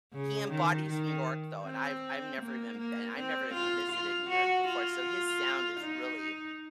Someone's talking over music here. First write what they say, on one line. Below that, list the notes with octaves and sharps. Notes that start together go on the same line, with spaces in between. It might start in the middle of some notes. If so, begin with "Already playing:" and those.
he embodies New York though, and I've I've never even been I'm never even visited New York before. So, his sound is really
C#3
D#3
D#3
C4
A#3
A#3
C4
F4
F4
F#4
F4
D#4